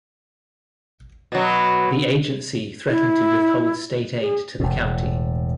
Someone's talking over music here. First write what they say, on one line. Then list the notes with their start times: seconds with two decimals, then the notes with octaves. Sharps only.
The agency threatened to withhold state aid to the county.
1.32 B2 F#3
2.89 E4
4.21 G#4
4.60 E1 A2